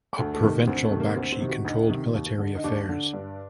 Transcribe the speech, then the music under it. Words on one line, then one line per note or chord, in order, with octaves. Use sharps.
A provincial bakshi controlled military affairs.
D2 A3
A3
C3 D#3
A#3
D2 C4
A3
C3 D#3
A#3
D2 C4
C4
C3 D#3
F#4
D2 D#4
C3 D#3
D#2
D3
D#4
D#2 D4
D3
G2